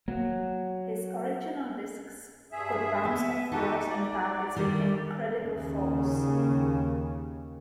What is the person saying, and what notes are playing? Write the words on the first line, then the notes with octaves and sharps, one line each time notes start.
His original discs could bounce off walls and targets with incredible force.
F#3 A#3
G2 G#4 E5
B3 E5
D#4 F#4 G4 A4
D5
D3 D#3 G3
D#2 C#3